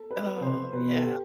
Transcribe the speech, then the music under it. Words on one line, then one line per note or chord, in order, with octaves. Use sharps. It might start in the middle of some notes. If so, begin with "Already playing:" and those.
Oh, yeah.
Already playing: A4
B4
B4
C3 C5
B2 B4
A4
G4